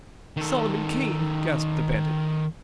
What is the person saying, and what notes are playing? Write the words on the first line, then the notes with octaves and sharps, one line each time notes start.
"Solomon Kane!" gasped the bandit.
D#3 A4